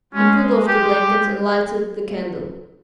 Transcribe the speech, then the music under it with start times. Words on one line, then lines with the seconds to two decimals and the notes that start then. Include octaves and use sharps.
He pulled off the blanket and lighted the candle.
0.14 G#3 C#4
0.68 G4